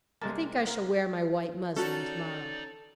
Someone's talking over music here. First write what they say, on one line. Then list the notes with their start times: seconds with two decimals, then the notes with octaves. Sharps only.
I think I shall wear my white muslin tomorrow.
0.22 C3 G3 G#3 A#3 A5
0.67 A#4
1.76 C#4 D#4 F#4 A4 D5